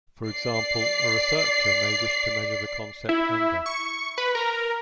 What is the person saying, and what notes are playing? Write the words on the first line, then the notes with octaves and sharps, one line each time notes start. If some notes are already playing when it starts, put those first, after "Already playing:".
For example, a researcher may wish to measure the concept anger.
D5 C7
E4
C#6
B4
A#4